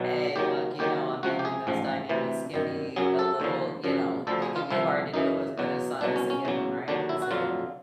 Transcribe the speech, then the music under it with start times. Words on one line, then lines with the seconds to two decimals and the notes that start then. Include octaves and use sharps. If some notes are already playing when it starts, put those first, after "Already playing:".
Hey, look, you know, I mean, and those dynamics can be a little, you know, they can be hard to deal with, but it's a it's a given, right? It's a given.
Already playing: B1 B2 F#3
0.36 D#2 D#3 F#3 G4
0.79 D#2 D#3 F#3 G4
1.23 C#2 C3 F3 F#4
1.39 G4
1.45 G#4
1.67 A1 G#2 F3
2.09 D2 C3 E3
2.54 G1 F#2 D#3
2.96 F#2 C#3 F#3 G#4
3.19 A4
3.40 D#2 D3 F3
3.84 F#2 C#3 F3
4.27 D2 D3 F3 A4
4.42 G#4
4.56 F4
4.70 C2 C3 F3 E4
5.14 F#2 C#3 E3 D#4
5.58 E2 B2 F#3
6.01 C2 B2 F#3 D4
6.16 C#4
6.30 C#4
6.45 E2 C#3 F#3
6.88 D#2 D3 F#3 D4
7.09 E4
7.22 F#4
7.31 F2 D3 F#3 F4